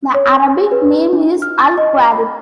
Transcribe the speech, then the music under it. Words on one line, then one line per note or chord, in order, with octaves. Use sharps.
The Arabic name is Al-Quwarib.
C#5
B4
D4
F6
A6
D#5
B5